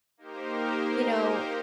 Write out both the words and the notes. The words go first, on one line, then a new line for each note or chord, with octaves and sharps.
you know,
A#3 D#4 G4 A#4 C5